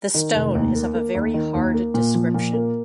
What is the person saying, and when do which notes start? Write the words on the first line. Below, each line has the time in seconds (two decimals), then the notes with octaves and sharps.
The stone is of a very hard description.
0.15 D#3
0.35 F1
0.55 D#2
0.75 A#3
0.94 A#3
1.15 D#2
1.34 D#3
1.54 D#2
1.74 A#3
1.94 A#2
2.15 F3
2.34 A#2
2.53 A#3